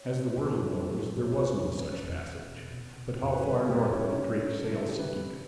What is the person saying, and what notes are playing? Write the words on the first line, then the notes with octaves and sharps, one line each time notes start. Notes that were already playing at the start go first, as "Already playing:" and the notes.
As the world knows, there was no such passage; but how far north did Drake sail seeking it?
Already playing: C#5
A2
B1 B4
A2
F#3
A2
C#5
B1 B4
F#3
C#4
E2
B2
B2
B2
B2
E2 C#5
B4
G3 B4
B4
G3 G4
E4
C#3 C#4
C#4
G3 C#4
C#3 C#4
G3 D4
E4
G3 G4
B4
G3